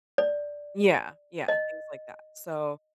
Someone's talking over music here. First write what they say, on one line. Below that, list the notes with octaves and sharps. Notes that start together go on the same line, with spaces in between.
yeah, yeah, things like that, so,
D5
D#5